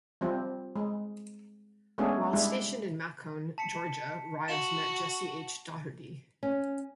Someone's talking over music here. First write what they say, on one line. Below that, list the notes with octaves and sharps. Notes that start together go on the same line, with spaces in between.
While stationed in Macon, Georgia, Rives met Jessie H. Daugherty.
F3 G3 C4
G#3
G#3 A3 B3 C#4 D4 G#4
G3 G#3 D4 E4
A5 B6 C#7
F#4 E7
C#4